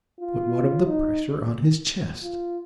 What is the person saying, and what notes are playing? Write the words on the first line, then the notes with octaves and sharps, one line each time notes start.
But what of the pressure on his chest?
F4
D#4
F4